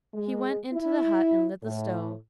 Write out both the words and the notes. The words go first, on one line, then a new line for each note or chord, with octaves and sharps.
He went into the hut and lit the stove.
G#3
E4
A2